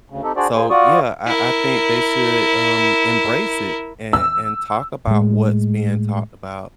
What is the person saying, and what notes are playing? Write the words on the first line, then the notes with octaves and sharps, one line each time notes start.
So, yeah, I I think they should, um, embrace it, and and talk about what's being talked about
D2 C#3
C4 D#4 G4 A4
D4 F#4 G#4 C5 D5
A#3 G#4 C5
F4 F#4 D5 C#6 D#6
E4 A#4
E6
A2 G#3